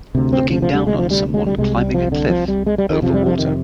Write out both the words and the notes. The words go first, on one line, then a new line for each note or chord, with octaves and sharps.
Looking down on someone climbing a cliff over water.
D2 C3
C4
F3
F3
G3
G#3
F3
G3
G#3
G3
C2 C3 G#3
G3
F3
D3
F3
G3
G#3
G3
D#3
F2 C3 F3
G3
F3
D#3